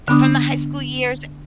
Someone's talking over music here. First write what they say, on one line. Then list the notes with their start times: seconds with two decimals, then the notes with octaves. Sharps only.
from the high school years
0.08 D3 B3 D4 D#6